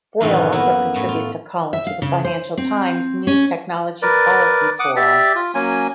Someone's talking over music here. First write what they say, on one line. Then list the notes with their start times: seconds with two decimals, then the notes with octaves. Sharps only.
Boyle also contributes a column to the "Financial Times" New Technology Policy Forum.
0.21 F#2 A2 C3 D#3 E3 C#4
0.52 A#3 B3 E4
0.96 A2
1.09 F4
1.73 E5
1.87 F5
2.02 C#3
2.25 C5
2.57 C4
3.27 C#4
4.02 A#4 B4 D5
4.79 F#5 D6 D#6
4.96 G4 D5 E5
5.35 F4
5.54 F#3 A#3 C#4 G#5